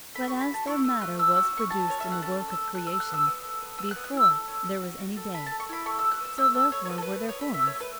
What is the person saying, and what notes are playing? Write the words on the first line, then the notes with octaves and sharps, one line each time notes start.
But as their matter was produced in the work of creation, before there was any day, so therefore were their forms.
A3 B5
C#6
F#4
B5
F#4 A5
E4 C#6
A3 E6
A3 F#6
A4 E6
F#4 E6
E6
C#4 C#6
F#4 A5
C#4 C#5
A4 E5
F#5
C#4 A5
A4
E6
A4
A4 F#6
E6
A4
F#6
B3
E6
B3
A4
B3
B3 E6
F#6
B3
F#6
E4 E6
A4
C#4
C#4
F#4
F#4
A4
A4 B5
A5
A4
C#6
E4 B5
A4 C#6
E6
F#4
F#6
B3 E6
A3 E6
A4 E6
A3 C#5
C#5
F#4 B4
A4
B4
F#4
B4
B3 C#5
A3 B5
E5
A3
C#5
A3 B4